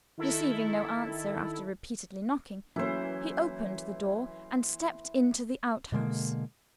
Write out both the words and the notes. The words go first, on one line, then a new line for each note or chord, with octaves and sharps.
Receiving no answer, after repeatedly knocking, he opened the door and stepped into the outhouse.
D#3 E4 A4
E3 F#3 A3 A#3 C#4 E4 C5
B2 D3 G#3 A#3